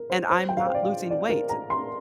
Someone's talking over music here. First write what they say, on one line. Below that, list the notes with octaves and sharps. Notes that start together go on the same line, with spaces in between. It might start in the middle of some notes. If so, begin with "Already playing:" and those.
and I'm not losing weight."
Already playing: A#4
C5
C5
G5
F5
C5
D5
F5
D5
A#4
A#5
C6